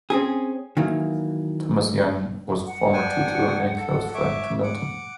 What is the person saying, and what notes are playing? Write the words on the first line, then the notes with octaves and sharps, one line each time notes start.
Thomas Young was a former tutor and close friend to Milton.
C4 C#4 G#4
D#3 E3 F#3 A#3
F#5
D4 G5 G#5
A4
C#5 E5 D6
F#5 D6